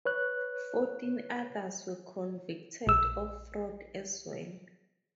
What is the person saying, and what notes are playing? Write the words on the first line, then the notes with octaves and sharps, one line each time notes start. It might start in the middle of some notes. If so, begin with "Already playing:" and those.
Fourteen others were convicted of fraud as well.
B4 C#5 F#6
A#1 E6